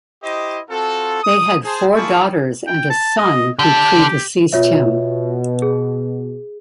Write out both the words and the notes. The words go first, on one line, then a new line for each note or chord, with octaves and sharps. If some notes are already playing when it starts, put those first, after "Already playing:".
They had four daughters and a son who predeceased him.
E4 G4 C5 D#5
C4 F4 F#4 A4
D#6
G#4 C5 A5
A#3 E4 F4 G#4 A5 C#6
G5
A5
D#5
D3 G4 A4
B2 F4 C#5 E5
G#4